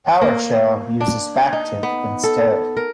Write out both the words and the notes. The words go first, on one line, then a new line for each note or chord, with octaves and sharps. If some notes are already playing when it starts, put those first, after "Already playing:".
PowerShell uses backtick instead.
A#3
D4
D#4
B3
A4
A#4